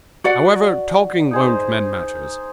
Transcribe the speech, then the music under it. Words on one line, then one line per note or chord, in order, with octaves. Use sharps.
'However, talking won't mend matters.
F#4 D5 F#5
D#4 G#4 C5